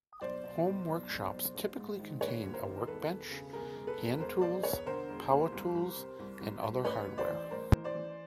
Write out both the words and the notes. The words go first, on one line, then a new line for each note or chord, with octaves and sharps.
Home workshops typically contain a workbench, hand tools, power tools and other hardware.
B1 C5 D5
B2
B1
B1
B1
B1
A#1
G#2
D#3
A#1 B4 C#5
A#1
A#4 C5
D#3
E1 A4 B4
E1
C#3
E1 G#4 A#4
E1
A4 B4
E1
E1 A#4 C5
E1 C5 D5
E1 B4 C#5
D3 A#4 C5
E1
D#2
C2
C2
C3
C2
C2
C2
A1 B4 C#5
A1
C5 D5
E3
A1 A#4 C5
E3
C5 D5
E3